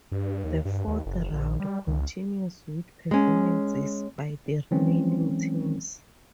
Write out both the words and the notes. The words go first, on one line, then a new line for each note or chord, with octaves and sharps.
The fourth round continues with performances by the remaining teams.
G2
D#2
G2
D#2
F#1
A#1
G3
C#2
G#3 C#4
E3 F#3 G#3 C4 C#4